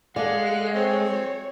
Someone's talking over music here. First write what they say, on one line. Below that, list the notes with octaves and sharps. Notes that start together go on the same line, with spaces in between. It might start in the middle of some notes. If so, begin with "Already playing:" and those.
videos of
G#3 A4 D5 F5 F#5
C4 C#5